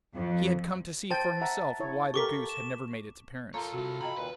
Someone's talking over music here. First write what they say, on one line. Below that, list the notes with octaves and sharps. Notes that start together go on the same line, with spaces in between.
He had come to see for himself why the goose had never made its appearance.
F2
C5 G5 A5 A6
E5 F#5 A#5
E4 C#5
G4 A4 A#4 C#6 D6 B6
E7
F4 A4 A#4 C#5 A#5
C3 E4 F#4
D#5 G5 A#5 B5
D#2 A#2 B4